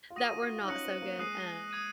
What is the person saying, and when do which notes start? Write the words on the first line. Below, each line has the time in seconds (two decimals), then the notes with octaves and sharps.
that were not so good, uh,
0.10 F4
0.15 F#4 D#6 A#6 D#7
0.29 F4
0.41 F#4
0.54 F4
0.63 D#4
0.68 C#4 F#6 A#6 C#7 F#7
0.85 C4
1.02 A#3
1.19 G#3 D#6 F#6 C7 D#7
1.71 D#6 G#6 D#7